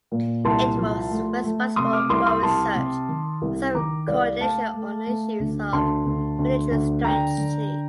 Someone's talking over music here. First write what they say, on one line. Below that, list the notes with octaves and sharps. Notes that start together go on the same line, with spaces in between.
It was responsible for research, and some co-ordination, on issues of military strategy.
A#2
C2 A5 C6
F3
A3
A3
C3 C6 D#6
D6 F6
C2 C6 D#6
C6 D#6
C2 A5 C6
C3
D#3
C2
D#3 A#5 D6
C2 D5 F5
A3 F5 A5
A3
A3
D2
D2 A5 C6
D2
D2
D2
D3 G5 A#5
D3